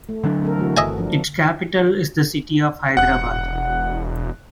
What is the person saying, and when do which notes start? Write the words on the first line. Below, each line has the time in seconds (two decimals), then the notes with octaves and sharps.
Its capital is the city of Hyderabad.
0.09 A3
0.24 D3 F#3 D4
0.43 C4 A4 A#4
0.57 E3 A3 F#4
0.77 G1 D#5 E5 G#5
0.98 F3 D4
2.97 E1 F#5 F#6